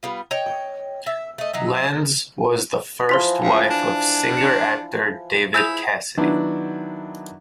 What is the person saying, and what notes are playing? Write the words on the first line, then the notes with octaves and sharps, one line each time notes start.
Lenz was the first wife of singer-actor David Cassidy.
G3 B3 F4
C#5 D#5 G5
E5
A3 D#5
F#3 D#4 E5
E3 F3 C5 C6 B6
C#2
D4
C#7 E7 F7
E4 G#4 E6 G6 F7
D#3 F#3 B3 D4 E4